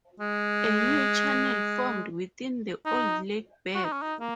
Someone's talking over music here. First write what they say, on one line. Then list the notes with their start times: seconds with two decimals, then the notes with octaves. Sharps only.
A new channel formed within the old lake bed.
0.20 G#3
2.86 D#4
3.75 F#4
3.84 D#4
3.93 C#4
4.02 D#4
4.20 A#3